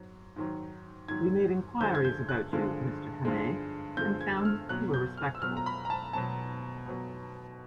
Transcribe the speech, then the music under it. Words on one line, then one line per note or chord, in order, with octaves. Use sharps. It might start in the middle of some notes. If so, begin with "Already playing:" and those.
We made inquiries about you, Mr Hannay, and found you were respectable.
Already playing: G#2 F#3
G#2 D#3 F#3
G#2 D#3 F#3 G#6
G2 D3 F3 G#3 G6
G#6
G6
F#6
G2 D3 F3 G#3
G2 D3 F3 G#3
G2 D3 F3 G#3 G6
G#6
E6
F6
B2 F#3 B3 F#6
G6
F6
E6
B2 F#3 B3 F6
A#5
B5
A#5
A5
B2 F#3 B3 A5
B2 F#3 B3